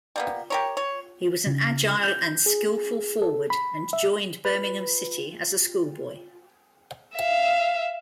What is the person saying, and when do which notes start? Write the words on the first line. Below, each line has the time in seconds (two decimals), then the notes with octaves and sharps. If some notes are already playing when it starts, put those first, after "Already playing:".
He was an agile and skilful forward and joined Birmingham City as a schoolboy.
0.16 G3 A#3 B3
0.50 G4 A#4 C#5
0.77 C#5
1.46 C#3
2.04 G6
2.46 G#4
3.22 A4
3.50 B5
3.93 E5
4.45 B4
7.14 E5 F5